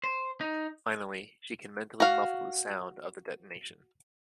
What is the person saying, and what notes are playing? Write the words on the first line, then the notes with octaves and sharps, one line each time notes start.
Finally, she can mentally muffle the sound of the detonation.
C5
D#4
F#4 F5